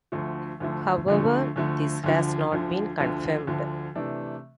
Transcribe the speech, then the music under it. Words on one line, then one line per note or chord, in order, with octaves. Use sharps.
However, this has not been confirmed.
D2 D3 F3 A3
D2 D3 F3 A3
D2 D3 F3 A3
D2 D3 F3 A3
D2 D3 F3
D2 D3 F3
D2 D3 F3
D2 D3 F3
C3 E3 A3 D4